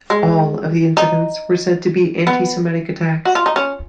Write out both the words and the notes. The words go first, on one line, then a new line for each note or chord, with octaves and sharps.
All of the incidents were said to be antisemitic attacks.
G#3
D#4
B3
F#4
F4
D#4
C#4